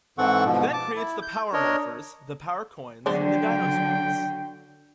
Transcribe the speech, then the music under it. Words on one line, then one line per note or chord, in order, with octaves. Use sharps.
He then creates the Power Morphers, the Power Coins and the Dinozords.
G#2 E3 C4 A4 F#5 C#6
G#2 B2 F3
A5 D6
E4
G6
D4 A#4 C#5 D#5
D3 F#3 D4 C5 D5 G5